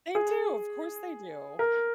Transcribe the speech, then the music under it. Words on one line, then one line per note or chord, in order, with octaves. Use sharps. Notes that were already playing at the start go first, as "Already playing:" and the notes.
They do, of course, they do.
G#4
A#4